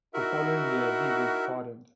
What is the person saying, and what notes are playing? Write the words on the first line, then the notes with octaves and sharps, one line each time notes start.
The following year, he was pardoned.
D#4 E4 F#4 A#4 E5